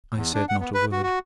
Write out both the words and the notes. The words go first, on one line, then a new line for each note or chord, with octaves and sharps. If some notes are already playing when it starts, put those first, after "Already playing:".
I said not a word.
E2
D4
F#5
B3
B4
F#4
F#4